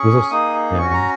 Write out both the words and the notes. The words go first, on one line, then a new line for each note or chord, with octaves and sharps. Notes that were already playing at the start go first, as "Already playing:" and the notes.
This was Yeah.
Already playing: C#4 G#4 C#6
A#3 D#4 G#4 D#6
C#4 F#4 C#6
C#6
A#5